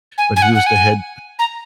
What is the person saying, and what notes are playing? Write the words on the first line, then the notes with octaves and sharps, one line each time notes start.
but he was the head
G#5
G#5
F#5
F#5
G#5
A#5